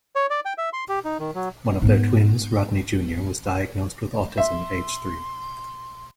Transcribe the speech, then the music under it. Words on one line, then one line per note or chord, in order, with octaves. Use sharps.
One of their twins, Rodney Junior was diagnosed with autism at age three.
C#5
D5
G5
E5
C6
G4
D#4
D#3
F#3
G#2 B3
E5 C6